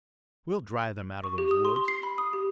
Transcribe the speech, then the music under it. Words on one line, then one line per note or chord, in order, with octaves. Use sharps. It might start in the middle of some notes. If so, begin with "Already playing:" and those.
"We'll drive them out of those woods."
C#6
G4
D#6
C6
C6
C7
B5
D#6
G4